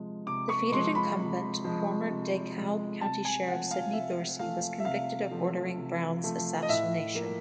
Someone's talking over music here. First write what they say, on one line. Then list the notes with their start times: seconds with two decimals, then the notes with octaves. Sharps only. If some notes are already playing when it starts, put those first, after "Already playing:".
Defeated incumbent, former DeKalb County Sheriff Sidney Dorsey, was convicted of ordering Brown's assassination.
Already playing: C3 F3 G#3
0.26 C3 D6
0.49 C#6
0.72 F3 G#3 C6
0.95 B5
1.18 C3
1.64 F3 G#3
2.10 C3
2.56 F3 G#3
3.01 C3 A5
3.25 G#5
3.48 F3 A3 F#5
3.71 F5
3.93 C3 E5
4.39 F3 A3 F5
4.80 E5
4.85 C3 F5
5.31 F3 A3
5.77 C3
6.23 F3 A3
6.62 D#5
6.69 A2 E5
7.15 F3 A#3